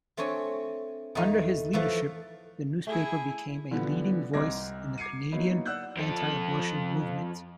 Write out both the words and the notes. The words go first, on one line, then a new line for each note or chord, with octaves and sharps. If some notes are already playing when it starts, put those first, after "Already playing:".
Under his leadership, the newspaper became a leading voice in the Canadian anti-abortion movement.
A3 C4 D4 C#5 G#5
E2 A3 D#4 F5
E3 F3 A3 F5
A3 E4 G#4 G#5
D3 E3 F3 G3 B3
C2 C4 D#5 D6 G#6 A#6
D6 G#6 C7 C#7 D#7
F#3 A#3 B3 D#4 E4
D5 F#5 E6 F#6 G6
F2 A4